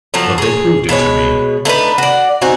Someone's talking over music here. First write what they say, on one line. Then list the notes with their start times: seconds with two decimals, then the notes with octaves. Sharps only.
But they proved it to me.
0.14 F3 F#3 A3
0.38 G#4 C#5
0.89 B2 G#3 B4 C#5
1.65 A3 D4 D#4 B4
1.98 F#4 D5
2.41 C4 D#4 F#4 G#5